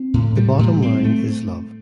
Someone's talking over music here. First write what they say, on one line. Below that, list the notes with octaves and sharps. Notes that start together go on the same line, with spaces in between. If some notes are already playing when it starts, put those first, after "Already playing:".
The bottom line is love.
Already playing: C4
A2
G3
A2
C4
A3